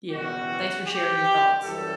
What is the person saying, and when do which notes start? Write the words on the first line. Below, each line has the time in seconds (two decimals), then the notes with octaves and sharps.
Yeah, thanks for sharing your thoughts.
0.11 F#1 E2 B2 G3 F#4
0.87 G4
1.62 F#2 E3 G3 A4